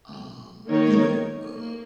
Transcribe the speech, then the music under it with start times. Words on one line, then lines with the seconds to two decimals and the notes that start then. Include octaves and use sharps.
um, you know, uh,
0.69 D#3 A#3 D#4 A#4 C#5
1.54 A#3